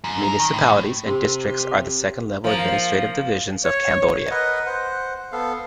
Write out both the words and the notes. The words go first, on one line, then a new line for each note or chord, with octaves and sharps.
Municipalities and districts are the second-level administrative divisions of Cambodia.
F#2
A#4
D#3
A2
C3
F3 A#3
C#5
A#4 B4 D#5 F#5
C5 F#5
B3 A4 F5